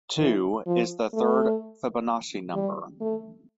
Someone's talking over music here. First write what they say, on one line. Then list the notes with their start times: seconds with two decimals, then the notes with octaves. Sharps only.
Two is the third Fibonacci number.
0.19 E3
0.67 F3
1.13 A3
2.54 G3
3.01 A3